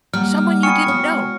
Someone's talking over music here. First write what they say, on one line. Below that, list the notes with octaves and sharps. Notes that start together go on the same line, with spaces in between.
Someone you didn't know?
G3 A#3 F#5 F6
B3 E4 G5 G#5 C#6 D#6 F6 C#7
F#4 C#5
G#3